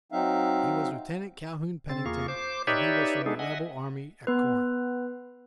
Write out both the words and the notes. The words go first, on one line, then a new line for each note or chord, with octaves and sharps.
He was a Lieutenant Calhoun Pennington, and he was from the Rebel army at Corinth.
F#3 C4 D#4 E5 F5
C3 C4 A6
E2 A#3 F4 G#4 C#6
C5 D6
D#4 G4 B4 C#5 D5 E5
G#3 B3 D4 D#4 G#4 A4
D#5 E5 F#5 G#5
B3 B4